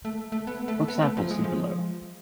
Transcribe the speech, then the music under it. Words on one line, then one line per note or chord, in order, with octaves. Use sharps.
For examples see below.
A3
A3
B3
A3
B3
A3
F3
G#3
F3